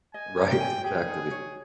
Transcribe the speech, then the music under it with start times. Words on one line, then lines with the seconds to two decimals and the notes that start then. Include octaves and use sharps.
Right, exactly.
0.14 D#5 G#5
0.37 A#4
0.49 G5
0.60 G#5
0.84 G4 G#4
1.08 D#4
1.31 C#5